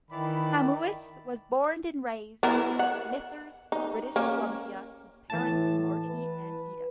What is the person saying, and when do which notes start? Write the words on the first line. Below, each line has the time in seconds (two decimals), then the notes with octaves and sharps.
Hamhuis was born and raised in Smithers, British Columbia, to parents Marty and Ida.
0.11 D#3 E3 D5 B5
2.43 B3 E4 A#4
2.79 F#5
3.72 D#4
4.16 A#3 C#4
5.30 A2 E3 A5
6.05 B4